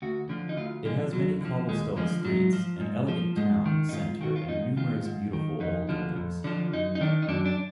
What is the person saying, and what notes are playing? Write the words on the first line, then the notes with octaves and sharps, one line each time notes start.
It has many cobblestoned streets, an elegant town center and numerous beautiful old buildings.
D2 F#4
D3 F3
D#4
D2 F4
D3 F3 G#3
D#2 F#3
D3 F3
D#2 G#3
D3 F3 G#3
G#2 F#3
F3
G#2
F3
G#2 G#3
D#3
D#4
G#2 F4
D#3 F#4
F4
G#2 D#4
D#3 F4
G#2
D#3
F2 D#4
D3 F3
F2
D3 F3
F#2 D#4
D#4
D#3 D4
D#4
F#2 D4
D4